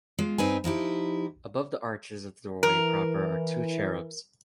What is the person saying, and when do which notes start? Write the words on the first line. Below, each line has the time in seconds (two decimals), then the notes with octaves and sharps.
Above the arches of the doorway proper are two cherubs.
0.19 G#3 F4
0.38 G2 C4 D#4 B4 G#5
0.64 F3 D#4 E4 G4
2.63 E3 A#4